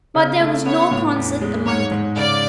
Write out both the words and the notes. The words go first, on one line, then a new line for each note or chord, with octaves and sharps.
But there was no concert among them.
C#3
A3
B3 C#5
A2
E2
G#3
G#2 C#5
G#2
C#3 D5